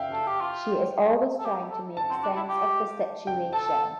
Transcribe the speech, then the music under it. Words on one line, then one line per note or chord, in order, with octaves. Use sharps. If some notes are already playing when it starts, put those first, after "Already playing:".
She is always trying to make sense of the situation.
Already playing: E5 F5 G5
A4
G4
F4
A4
G4
A4
A5
C4
D4
E4
G4
G5
A4 A5